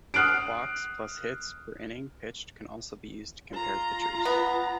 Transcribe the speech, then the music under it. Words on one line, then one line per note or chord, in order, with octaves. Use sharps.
Walks plus hits per inning pitched can also be used to compare pitchers.
D#6 F6 F#6 C7 D7
F4 A#5
B3